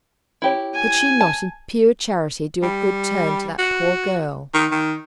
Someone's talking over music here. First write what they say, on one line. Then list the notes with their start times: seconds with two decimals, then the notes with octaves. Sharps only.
Could she not in pure charity do a good turn to that poor girl?
0.42 E4 G4 C#5
0.74 G#5
1.21 A5
2.63 G3
3.59 F#4
4.54 D#3
4.72 D#3